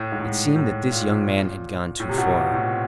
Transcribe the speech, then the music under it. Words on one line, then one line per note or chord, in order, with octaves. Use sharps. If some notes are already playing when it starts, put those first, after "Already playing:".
It seemed that this young man had gone too far.
Already playing: A2
G#2
A2
A2
A#2
A2
C3
B2
A#2
A2